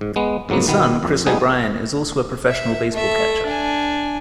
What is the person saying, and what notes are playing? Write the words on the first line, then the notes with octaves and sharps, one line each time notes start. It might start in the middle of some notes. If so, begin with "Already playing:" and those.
His son, Chris O'Brien, is also a professional baseball catcher.
G#2
G#3 B3
F2 G#2 F#3 A#3 B3
B2 D#3 B3
F2
G3 B3 D#4 G#4
E5
A3 E5
D4 G#5